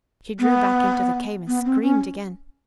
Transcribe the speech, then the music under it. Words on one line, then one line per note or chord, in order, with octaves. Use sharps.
She drew back into the cave and screamed again.
B3
B3
C4
C#4